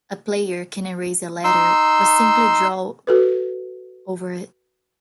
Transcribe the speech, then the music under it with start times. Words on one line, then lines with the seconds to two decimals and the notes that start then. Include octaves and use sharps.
A player can erase a letter or simply draw over it.
1.44 D#4 C6 E6
3.07 F#4 A4 B4